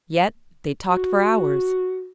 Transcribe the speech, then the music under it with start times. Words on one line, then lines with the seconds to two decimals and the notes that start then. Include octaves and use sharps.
Yet they talked for hours.
0.87 F#4